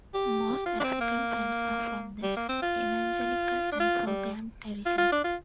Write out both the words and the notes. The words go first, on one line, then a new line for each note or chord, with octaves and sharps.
Most African Friends are from the evangelical and programmed traditions.
G4
F4
D4
C4
A#3
G3
A#3
C4
F4
D4
F4
G3
F4
F4
D4
F4